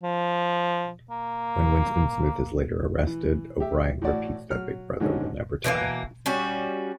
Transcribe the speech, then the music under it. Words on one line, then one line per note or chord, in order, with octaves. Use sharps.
When Winston Smith is later arrested, O'Brien repeats that Big Brother will never die.
F3
A#3
E3
G4 E5
A2 E3 E4 F#4 D5
F#3 F6
G#2 D3 D#3 G#3 C#4 D#4
B2 E3 A3 A#3
G3 C#4 F#4